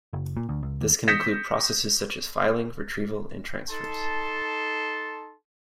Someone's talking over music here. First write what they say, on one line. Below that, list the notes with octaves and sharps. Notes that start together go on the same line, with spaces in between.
This can include processes such as filing, retrieval and transfers.
F#1
A#2
D2
C#2
D#2
D#6 G6 A#6 B6 C#7 E7
D#4 A4 A5 C6